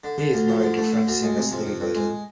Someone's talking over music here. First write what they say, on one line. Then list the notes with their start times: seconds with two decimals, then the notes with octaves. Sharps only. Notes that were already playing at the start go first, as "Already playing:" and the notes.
He is married to French singer Sylvie Vartan.
0.04 D3
0.18 D3
0.33 D2
0.48 F3
0.62 D3
0.77 A3
0.92 D3
1.07 D2
1.22 G#3
1.37 C3
1.52 F3
1.66 F2
1.80 F2
1.95 G#3